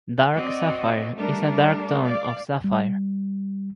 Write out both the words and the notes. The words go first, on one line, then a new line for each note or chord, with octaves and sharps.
Dark sapphire is a dark tone of sapphire.
C4 F#4 D5 D#5
G3 A3 D4 A#4
D5 F5
G3